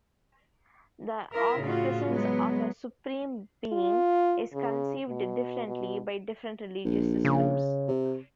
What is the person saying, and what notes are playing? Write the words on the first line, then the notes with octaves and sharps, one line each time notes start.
The omnipresence of a supreme being is conceived differently by different religious systems.
E4 F4 A#4 E5
A2 C#3 F4 F#4
F#3 G#3 B3
F4
C#3
B2
B2
A#1
C#3
C3